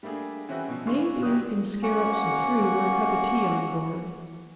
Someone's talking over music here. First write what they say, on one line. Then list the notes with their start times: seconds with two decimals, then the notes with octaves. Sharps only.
Maybe we can scare up some fruit or a cup of tea on board.
0.03 G3 A3 A#3 D4 G#4
0.49 E3 C4 C#4 E4 F#4 G#4
0.68 B2 F3
0.86 E3 D4 G#4 F5 C6 C#6
1.22 C2 F#3 G4 D5 D#6 F#6
1.83 A#3 C#4 F#4 F#5